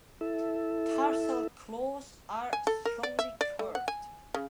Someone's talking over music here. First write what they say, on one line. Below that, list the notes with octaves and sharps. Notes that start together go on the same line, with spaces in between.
Tarsal claws are strongly curved.
E4 A4 E5
G#5
A4
A#4
D5
E5
D5
A3
F#5
G#5
C#3